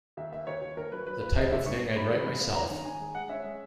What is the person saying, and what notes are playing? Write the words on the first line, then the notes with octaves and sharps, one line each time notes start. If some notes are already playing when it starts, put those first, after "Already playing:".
The type of thing I'd write myself'.
D#2 E5
A#3 E5
D#2 C#5
D#2
D#2 A#4
F#3 B4
F#3 B4
A#3 B4
C#4 D#5
G#2 E5
G#2 C#6
G#2
G#2 B5
E3
G#2
A#3
C#4 A#5
D#3
D#3 G#5
G#3
G#3 F#5
C#4 E5
G#3